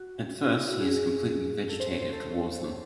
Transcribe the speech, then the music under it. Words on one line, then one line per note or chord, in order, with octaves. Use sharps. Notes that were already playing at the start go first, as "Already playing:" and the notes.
At first, he is completely vegetative towards them.
Already playing: F#4
D#4
E4
F#4
G#4
A4
C5
C#5
C5
A4